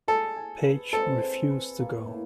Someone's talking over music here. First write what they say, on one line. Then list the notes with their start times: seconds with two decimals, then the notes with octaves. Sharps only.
Page refused to go.
0.08 G#4 A4
0.36 G#4
0.65 B4
0.93 C4 A4
1.22 G#4
1.50 B4
1.79 A#3
2.07 A2